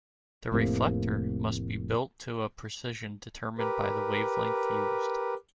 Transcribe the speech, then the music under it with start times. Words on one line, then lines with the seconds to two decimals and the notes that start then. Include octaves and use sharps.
The reflector must be built to a precision determined by the wavelength used.
0.52 F1 A2 C3 A#3
3.59 G4 A#4 B4